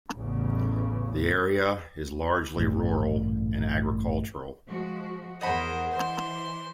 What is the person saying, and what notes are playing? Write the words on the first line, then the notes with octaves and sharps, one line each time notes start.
The area is largely rural and agricultural.
A1 E2 C#3
A1 G2 A#2
F3 G#3 F#4
E2 G#4 A#4 C5 D#5 F#5 B5
E3 C5 C6